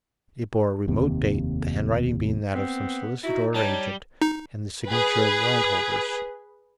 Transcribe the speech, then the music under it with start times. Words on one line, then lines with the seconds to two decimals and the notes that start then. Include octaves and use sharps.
It bore a remote date, the handwriting being that of some solicitor or agent, and the signature the landholder's.
0.87 F1 D#2 C3
2.54 B3 C4
3.24 D#4 E4 F#4
3.54 G3 C#5 A5
4.22 D#4
4.86 G#4 B4